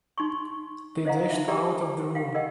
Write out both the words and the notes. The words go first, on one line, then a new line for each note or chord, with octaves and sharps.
They dashed out of the room.
D#4 C6 C#6
C5 D#5 F5 F#5 A#5
D#4 F4 E5
G4 A#4 D5 G5 A5 A#5
F5 G5
A#4 D#5 F#5 G5